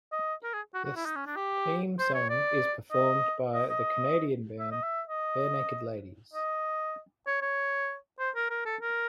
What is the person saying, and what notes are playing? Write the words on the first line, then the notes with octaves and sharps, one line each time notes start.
The theme song is performed by the Canadian band, Barenaked Ladies.
D#5
A#4
G#4
F#4
F#4
E4
D#4
C#4
D4
G4
C5
C#5
D5
D#5
D#5
D#5
E5
D#5
E5
D#5
D#5
C#5
C#5
C5
A#4
A#4
A4
A#4